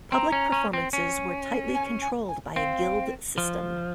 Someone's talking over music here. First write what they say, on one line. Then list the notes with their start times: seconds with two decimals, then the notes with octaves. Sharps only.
Public performances were tightly controlled by a guild system.
0.12 C4 A#5
0.32 C#4
0.52 C#4
0.73 C4
0.93 C#4
1.75 G#5
2.02 G#5
2.29 G#5
2.56 C4 F5
3.38 F3